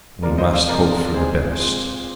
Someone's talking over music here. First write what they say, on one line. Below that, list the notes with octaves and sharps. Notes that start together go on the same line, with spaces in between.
"We must hope for the best."
C3 F3 G#3 A#4 D5
C5 D#5
D5 F5
C3 F3 G#3 A#4 D5
A#2 G#3 C4 G#4 C5
A#2 G#3 C4